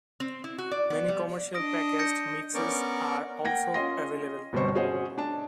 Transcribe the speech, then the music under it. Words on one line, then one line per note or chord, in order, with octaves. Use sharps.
Many commercial packaged mixes are also available.
C4
E4
F#4
D5
B3
G3
D4 D#5 D#6 A#6 D7
G6 A#6 C#7
B3 C#4 A#4 D5 C#6 D6
A#3 F#5 G5 G#6 A#6
C#4 F4 D#5 C6 A#6
G1 B2 G3 C4 C5 C#6
C#4 F#4 G#4 C5 C#5 D#5
D4 A5